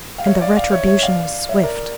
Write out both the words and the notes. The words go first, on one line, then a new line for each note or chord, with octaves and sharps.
And the retribution was swift.
F5
C#5 E5
D5 F5
D5 F5
C#5 E5
C#5 E5
D5 F5
C#5 E5
A#4 D5